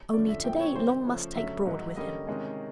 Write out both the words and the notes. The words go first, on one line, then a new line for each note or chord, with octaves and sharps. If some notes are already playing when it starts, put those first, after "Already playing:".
Only to-day, Long must take Broad with him.
D3 F3 A3 C#4 D5
E5
A#2 F3 A3 C4 G5
C#5
C3 D#3 G3 C5
C#3 F3 A3 C#4
D3 F#3 A3 C#4 E5
G#2 D#3 F#3 A#3
D3 G3 A#3 C#4 D#5
C3 D#3 G#3 C#4